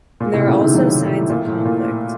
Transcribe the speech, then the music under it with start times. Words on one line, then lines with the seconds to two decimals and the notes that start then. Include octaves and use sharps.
There are also signs of conflict.
0.20 A#2
0.33 A2 C3
0.47 A#2 C#3
0.61 C3 D#3
0.75 D#3 F#3
1.02 A2
1.30 A#2
1.47 A2
1.65 A#2